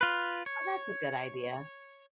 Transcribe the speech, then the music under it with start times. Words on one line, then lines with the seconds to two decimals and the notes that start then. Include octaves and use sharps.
Oh, that's a good idea.
0.01 F4 B4
0.46 C#5